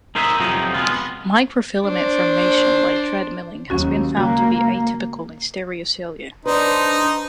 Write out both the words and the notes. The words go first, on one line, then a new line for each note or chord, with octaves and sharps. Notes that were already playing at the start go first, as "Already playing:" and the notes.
Microfilament formation by treadmilling has been found to be atypical in stereocilia.
D#4 A#4 C5 D#5 E5
F2 C3 F3 F#3 D#4
G#3 B3 F4
D4 C5
D#2 F#3 C#4 F#4
C#3 G#3 A#3 F#4
D4 D#4 B4 C5